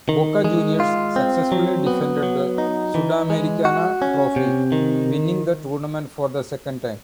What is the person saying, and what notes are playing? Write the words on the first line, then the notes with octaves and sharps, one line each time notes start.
Boca Juniors successfully defended the Sudamericana trophy, winning the tournament for the second time.
D#3
G#3
F4
C4
F#3
B3
F#3
D#4
E3
G#3
F#4
C#4
C3
D#3